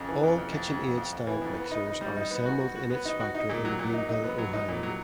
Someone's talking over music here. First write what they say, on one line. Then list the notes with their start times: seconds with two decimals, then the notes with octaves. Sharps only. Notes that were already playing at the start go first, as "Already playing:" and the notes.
All KitchenAid stand mixers are assembled in its factory in Greenville, Ohio.
Already playing: F2 C#3
0.09 E3
0.23 F2
0.38 F2
0.52 F2
0.68 F2
0.83 F2
0.97 F2
1.12 F2
1.27 E3
1.41 F2
1.57 B3
1.71 D#4
1.86 D#4
2.01 G3
2.16 D#4
2.31 B3
2.45 F#4
2.60 F#4
2.76 F#4
2.90 B3
3.05 D#4
3.20 F#4
3.35 D#4
3.49 A#2
3.65 F#3
3.79 A#2
3.94 D#4
4.09 D#4
4.24 B3
4.38 F#3
4.53 D#4
4.68 A#2
4.83 F#3